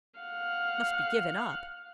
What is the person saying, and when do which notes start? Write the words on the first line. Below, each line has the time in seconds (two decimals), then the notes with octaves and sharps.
"Must be given up?"
0.19 F5 F#5